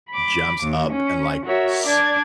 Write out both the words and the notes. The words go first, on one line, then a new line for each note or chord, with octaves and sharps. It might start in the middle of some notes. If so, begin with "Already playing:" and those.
jumps up and, like, s
B5 D6
D#2
C#4
F#4 A#4 C#5 E5
D4 D5 G#6